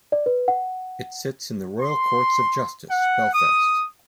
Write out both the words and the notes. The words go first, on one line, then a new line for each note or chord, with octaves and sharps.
It sits in the Royal Courts of Justice, Belfast.
D5
B4
F#5
C6
F#5
D#6